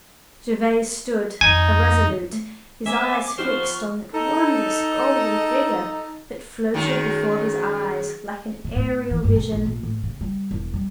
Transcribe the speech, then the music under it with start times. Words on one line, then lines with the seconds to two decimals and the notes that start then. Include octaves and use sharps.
Gervase stood irresolute, his eyes fixed on that wondrous golden figure that floated before his eyes like an aerial vision.
1.41 F2 D#4 G#5
2.33 A3
2.86 A3 A#3 C4 E5 G#5 D6
3.38 F3 B3 D#4 G4 C5 C#6 F6 E7
4.14 D#4 A4
6.74 F#2 D#3 G#3
8.64 B2
8.76 A2
9.11 E3
9.24 G2
9.36 B2
9.51 A#1
9.66 A#2
9.83 A2
10.03 C#3
10.21 G3
10.51 E1
10.74 G3